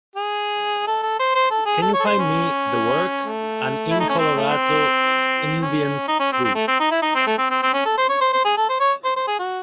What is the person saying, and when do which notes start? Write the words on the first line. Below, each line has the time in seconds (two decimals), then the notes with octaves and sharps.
Can you find me the work, An InColorado Nvenient Truth?
0.15 G#4
0.87 A4
1.03 A4
1.19 C5
1.35 C5
1.50 A4
1.66 G#4
1.82 A4
1.94 C#5
2.00 A4
2.05 C5
2.18 C#4
3.24 A3
3.91 E4
4.00 D#4
4.09 C#4
4.19 C4
4.34 A3
4.50 C4
5.61 C#4
6.08 D#4
6.20 C#4
6.32 C4
6.44 C4
6.55 A3
6.68 C4
6.80 D#4
6.91 E4
7.02 D#4
7.15 C4
7.27 A3
7.38 C4
7.50 C4
7.62 C4
7.73 C#4
7.85 A4
7.98 C5
8.09 C#5
8.21 C5
8.33 C5
8.45 G#4
8.57 A4
8.69 C5
8.80 C#5
9.04 C5
9.16 C5
9.27 G#4
9.39 F#4